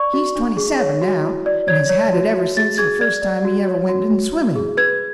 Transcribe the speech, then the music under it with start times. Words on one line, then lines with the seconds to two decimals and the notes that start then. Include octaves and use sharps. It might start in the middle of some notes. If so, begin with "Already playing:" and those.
He's twenty-seven, now, and has had it ever since the first time he ever went in swimming.
Already playing: D5 C#6
0.13 F#4
0.36 D4
0.57 G#4
0.79 C#5
1.01 F#4
1.23 E4
1.46 D5
1.68 C#5 G#6
1.89 C#5
2.13 F#4
2.34 F#4
2.56 G#4 A6
2.78 G#4 G#6
3.01 D5 G#6
3.22 D5
3.45 F#4
3.68 C#5
3.89 F#4
4.11 F#4
4.34 E4
4.56 G#4
4.77 B4 G#6